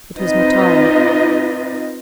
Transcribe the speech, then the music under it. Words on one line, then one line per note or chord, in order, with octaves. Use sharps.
It was Matara.
C4 D#4 F4 B4 D#5